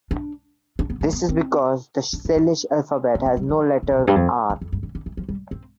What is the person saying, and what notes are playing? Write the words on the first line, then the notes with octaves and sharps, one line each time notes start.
This is because the Salish alphabet has no letter "r".
D4
D4
B3
A3
B3
C4
D4
E4
D4
C4
B3
G3
F3
C3
B2
F2
G2
F2
E2
F2
G2
D3
D3
E3
F3
G3
C4